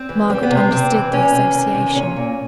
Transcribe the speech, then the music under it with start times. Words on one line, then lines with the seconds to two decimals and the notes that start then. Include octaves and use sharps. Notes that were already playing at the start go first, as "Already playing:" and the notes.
Margaret understood the association.
Already playing: C4
0.09 E3
0.29 G3 C4
0.43 B3
0.50 C3
0.57 C4
0.71 C3 C4
0.91 E3
1.12 C3 C#4
1.34 C3
1.54 D#3
1.74 C3
1.96 A#2 C#4
2.16 A#2